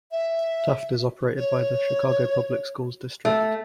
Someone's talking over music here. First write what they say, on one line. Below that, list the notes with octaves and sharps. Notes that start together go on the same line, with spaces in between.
Taft is operated by the Chicago Public Schools district.
E5
C#5
A3